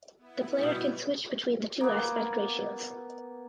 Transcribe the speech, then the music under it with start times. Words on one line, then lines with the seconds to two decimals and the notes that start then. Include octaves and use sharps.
The player can switch between the two aspect ratios.
0.18 B3 E4
0.59 B2 G3
1.81 A#3 B3